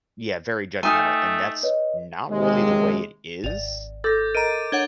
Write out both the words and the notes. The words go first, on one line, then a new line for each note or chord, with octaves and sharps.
Yeah, very judgmental, and that's not really the way it is,
A3 D#4 G5 G#5 D#6 F6
B4 C#5 D#5
D#2 C3 G#3
G#1 D5 F7
A4 D6 G6 A6 A#6
A#4 D#5 A#5 D7 D#7
D4 C#5 F#5 G#6 G7